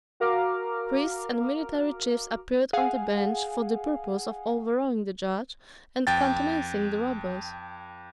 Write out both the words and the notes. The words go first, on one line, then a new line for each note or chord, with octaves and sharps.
Priests and military chiefs appeared on the bench for the purpose of overawing the judge and countenancing the robbers.
F#4 A#4 F5 A#5 D6 F6
G#4 F5 F#5 G#5
F2 G5 A6